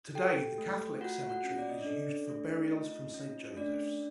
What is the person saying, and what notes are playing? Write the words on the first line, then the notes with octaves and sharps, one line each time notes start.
Today the Catholic cemetery is used for burials from Saint Joseph's.
G4 A4 G5
A3
F4 F#4 F#5
F#4 F#5
C#4
D5
D#5
D4 D5
A4
A3
D#4 F4 D#5
C#4
A3 D4 D5